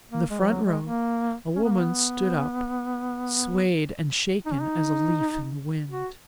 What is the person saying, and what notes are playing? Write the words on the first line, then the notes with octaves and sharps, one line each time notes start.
In the front row a woman stood up, swayed and shaken as a leaf in the wind.
A#3
G#3
F3
F#3
G#3
A#3
C#4
B3
A#3
B3
D#4
C#4
D#4
F#4